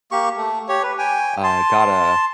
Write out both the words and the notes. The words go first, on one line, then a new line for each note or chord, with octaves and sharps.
uh, got a
A#3 G4 C#6
A3
G4 C#5
B4
G5 G#5
A5 C6